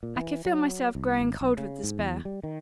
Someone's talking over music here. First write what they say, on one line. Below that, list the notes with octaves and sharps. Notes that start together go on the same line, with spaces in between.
I could feel myself growing cold with despair.
A#2
E3
F#3
C2
G#1
B1
C#3
G#2
E2
G3
D#3